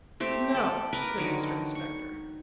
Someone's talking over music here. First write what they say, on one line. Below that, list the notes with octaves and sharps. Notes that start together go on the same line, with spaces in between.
'No,' said Mr Inspector.
A3 C4 G4
A4 D5
A#4 B4 D5
D3 D#3 F#3
C#6